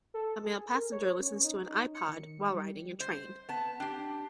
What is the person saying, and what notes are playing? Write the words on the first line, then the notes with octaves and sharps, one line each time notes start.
A male passenger listens to an iPod, while riding a train.
A4
G#4
A#4
C#5
C#4
D#4
C#7
D#3
G3
C5
B3 A5
D4 G4